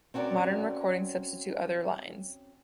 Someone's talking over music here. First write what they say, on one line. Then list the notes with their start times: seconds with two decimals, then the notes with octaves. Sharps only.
Modern recordings substitute other lines.
0.14 C4 C#4 F#4 A4 A#4 D5